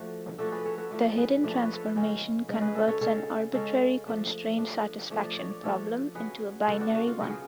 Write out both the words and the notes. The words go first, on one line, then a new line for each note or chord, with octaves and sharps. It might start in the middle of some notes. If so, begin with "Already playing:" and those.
The hidden transformation converts an arbitrary constraint satisfaction problem into a binary one.
Already playing: F3 A3 D4 F#4
F3 A3 D4 F#4 A4
C#5
G#4 B4
A4 C#5
F#4 A4
F3 A3 D4
G#4 B4
F3 A3 D4 D5
C#5
B4
A4 C#5
C#3 G#3 C#4
C#3 G#3 C#4
G#4 B4
F#4 A4
A4 C#5
C#3 G#3 C#4 A4 C#5
C#3 G#3 C#4 A4 C#5
F3 A3 D4
F3 A3 D4
F3 A3 D4 C#5
D5
C#5
D5
F3 A3 D4 A4 C#5
C#3 F#3 B3 G#4 B4
C#3 F#3 B3 F#4 A4
D4 F#4
D4 F#4
F4
C#3 F#3 B3 F#4
G#4